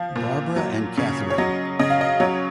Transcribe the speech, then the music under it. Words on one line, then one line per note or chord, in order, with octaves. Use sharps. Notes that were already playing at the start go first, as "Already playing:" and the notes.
Barbara and Catherine.
Already playing: F3 F5
A#2
F#3
C#3
C#5
F#3 D#5
C#3 D#5
F5
D#5
F#3 C#5